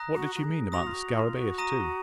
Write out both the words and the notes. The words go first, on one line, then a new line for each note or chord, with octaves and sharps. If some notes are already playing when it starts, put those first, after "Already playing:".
What did she mean about the scarabaeus too?
Already playing: A#5 D#6 F#6 A#6
F#4
F#4
G#4
F#4 D#6 A#6 F7
F4
F#4
F4
F#4
A#5 D#6 A#6 D#7